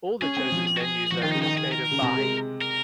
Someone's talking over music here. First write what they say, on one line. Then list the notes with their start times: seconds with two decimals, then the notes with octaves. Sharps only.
All the chosen venues are in the state of Bahia.
0.22 C#4 G#4
0.37 C4
0.52 F3
0.77 F#4
0.81 G#4
1.11 F3 F#4
1.22 D#3 F4
1.32 D#4
1.34 C#3
1.42 D#3 D#4
1.57 G#4
1.72 A#4
1.91 C#3
2.02 C3
2.17 G#3
2.61 A#4